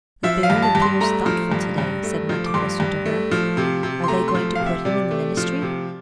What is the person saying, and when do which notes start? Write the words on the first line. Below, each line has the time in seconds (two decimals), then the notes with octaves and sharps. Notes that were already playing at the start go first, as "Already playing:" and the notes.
"The baron appears thoughtful to-day," said Monte Cristo to her; "are they going to put him in the ministry?"
0.23 F3 E5
0.43 F5
0.50 G2
0.62 A5
0.75 G2
0.82 C6
1.01 A3 A#5
1.26 F3
1.52 G2
1.78 G2
2.03 A3
2.29 F3
2.46 D6
2.54 G2 C6
2.80 G2
3.06 A3
3.31 F3
3.57 C3
3.83 C3
4.04 C6
4.08 A3 A#5
4.28 C6
4.35 F3
4.55 C3 F5
4.66 E5
4.85 C3 D5
5.11 A3
5.37 F3
5.62 C3